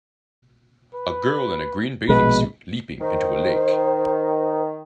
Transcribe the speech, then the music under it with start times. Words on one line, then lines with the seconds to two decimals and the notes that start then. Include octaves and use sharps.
A girl in a green bathing suit leaping into a lake.
0.94 B4
2.09 A#1 B2 G#3 B4
3.01 D#3 C5